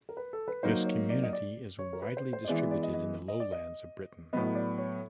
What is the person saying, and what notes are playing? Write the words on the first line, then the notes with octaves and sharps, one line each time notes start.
This community is widely distributed in the lowlands of Britain.
A#4
B4
A4
B4
F#3 A#3 D#4 C5
C#5
D5
D#5
D5
C#5
A#4
B4
C5
C5
D#5
E3 G#3 B3 E4 D5
D5
D5
D#5
D#5
D#5
D5
D#5
A2 F#3 B3 D#5
D#5
D5
C#5